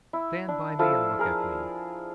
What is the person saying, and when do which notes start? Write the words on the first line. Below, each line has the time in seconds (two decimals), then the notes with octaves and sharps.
Stand by me and look at me.
0.13 E4
0.48 D4
0.79 F3 E4 A4 F5
1.19 G#4 A#4 A5